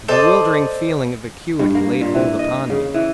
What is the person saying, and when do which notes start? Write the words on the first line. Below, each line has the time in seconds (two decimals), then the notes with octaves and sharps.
The bewildering feeling of vacuity laid hold upon me.
0.08 A4 C5 D5 D#5
1.59 G2
1.75 A#3
2.01 A#2
2.14 E3
2.39 D#5
2.70 C#3
2.94 E3